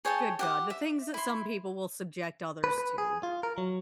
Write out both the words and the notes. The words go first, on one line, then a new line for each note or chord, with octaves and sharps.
good god, the things that some people will subject others to.
G#4 C#5 G5 A5
G4 F#5 D6
E5
E4 C6
B4
B4
G#4
F4
A#4
F#3